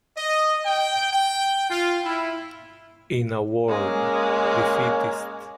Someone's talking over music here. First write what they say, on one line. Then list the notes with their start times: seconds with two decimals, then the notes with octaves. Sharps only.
In a word, defeatist.
0.17 D#5
0.65 G5
1.13 G5
1.70 F4
2.04 E4
3.68 G#3 A#3 C#4